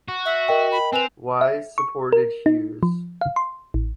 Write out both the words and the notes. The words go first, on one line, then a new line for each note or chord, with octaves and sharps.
Wise supported Hughes.
F#4
E5
A#4 D#5 G5
B5
C4 B4 G#5 F7
E5
C#6
A#4
D#4
F3
F5
C6
A1